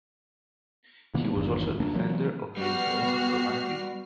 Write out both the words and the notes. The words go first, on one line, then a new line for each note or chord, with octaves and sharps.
He was also a defender of the interests of the Romani people.
C3 E3 A#3 B3
G#1 E2 G2 D#3
F1 C#2 A#3 D4
E3 F#3 A#3
G3 B3 F#4 F6 C7